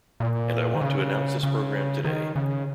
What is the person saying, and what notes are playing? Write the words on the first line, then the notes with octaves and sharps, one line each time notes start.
And I want to announce this program today.
A#2
D#3
C#3
C#3
D#3
C#3